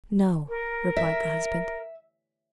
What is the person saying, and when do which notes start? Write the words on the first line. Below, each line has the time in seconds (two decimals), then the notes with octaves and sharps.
"No," replied the husband.
0.49 A#4
0.97 E5